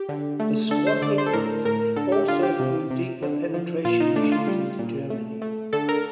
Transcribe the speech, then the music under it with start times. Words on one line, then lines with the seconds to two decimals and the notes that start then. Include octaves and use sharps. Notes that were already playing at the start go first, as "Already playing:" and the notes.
The squadron also flew deeper penetration missions into Germany.
Already playing: G4
0.09 D3
0.39 A3
0.71 D3 A4
0.87 C5
1.02 D3 D5
1.18 C5
1.26 A4
1.33 A2 A#4
1.65 A2 A#4
1.96 D3 A4
2.12 G4
2.28 D3 F4
2.43 G4
2.59 C3
2.91 C3
3.22 D3
3.54 F3
3.84 A#2 F4
4.00 D#4
4.15 A3 D4
4.32 F4
4.48 G3
4.79 A#2
5.10 A3
5.42 A3
5.73 D3 A4
5.89 A#4